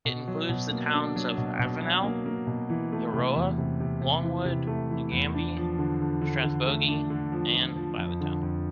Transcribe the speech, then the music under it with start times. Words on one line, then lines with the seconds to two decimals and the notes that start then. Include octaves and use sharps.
It includes the towns of Avenel, Euroa, Longwood, Nagambie, Strathbogie and Violet Town.
0.05 B2
0.28 F#3
0.49 B2
0.71 A#3
0.94 D4
1.16 F#3
1.38 B2
1.59 B2
1.82 F#3
2.03 A#3
2.26 A#3
2.47 B2
2.70 E3
2.92 A3
3.14 C3
3.35 E2
3.58 C3
3.80 C3
4.02 C3
4.24 E3
4.45 C3
4.67 A3
4.90 E3
5.12 E2
5.34 D4
5.57 F3
5.78 D3
6.00 D3
6.21 D3
6.44 D3
6.66 A3
6.88 D4
7.10 D3
7.32 F3
7.54 F3
7.76 F3
7.98 F2
8.21 D3
8.43 F2